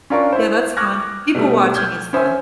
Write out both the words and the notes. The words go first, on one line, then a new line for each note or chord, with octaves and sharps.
Yeah, that's fun. People watching is fun.
C#4 D4 F4 A#4 D5 C#6
E4 C5
C#6 D6 F6 F#6 G#6 A#6
B2 G3 A3
F6 G6 G#6 G7
C#4 C5 E5 G#5